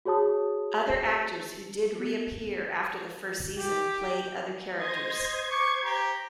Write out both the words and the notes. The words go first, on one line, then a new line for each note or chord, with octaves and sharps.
Other actors who did reappear after the first season played other characters.
F#4 G#4 C#5 A5 D#6
B3
G4
C5 D#5 G#6
C#6 D6
G4 A#5